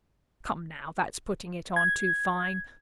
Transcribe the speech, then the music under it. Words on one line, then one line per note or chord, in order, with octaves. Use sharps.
Come, now, that's putting it on too fine.
G#6